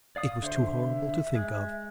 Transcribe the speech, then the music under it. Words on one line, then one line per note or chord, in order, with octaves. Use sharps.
It was too horrible to think of.
D5 F5 D#6
D3 C5 E5
G#3